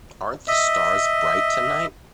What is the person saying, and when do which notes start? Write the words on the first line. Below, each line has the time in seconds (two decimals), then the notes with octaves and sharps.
Aren’t the stars bright tonight?
0.48 D#5 E5